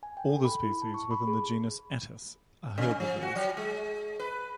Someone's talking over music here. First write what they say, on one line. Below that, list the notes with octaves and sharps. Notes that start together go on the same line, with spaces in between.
All the species within the genus Atys are herbivores.
G#5
G5
A4
B5
E4
A5
C#6
B5
G#4
C3
F3
F#4
F#3
G#3
B4